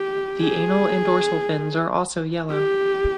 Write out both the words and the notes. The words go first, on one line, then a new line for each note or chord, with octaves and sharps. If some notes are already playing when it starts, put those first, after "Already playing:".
The anal and dorsal fins are also yellow.
Already playing: G4
G#4
G4